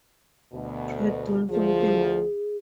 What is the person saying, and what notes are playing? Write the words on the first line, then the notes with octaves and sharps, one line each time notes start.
Try doing something.
D2 B2
D2 F3 G#4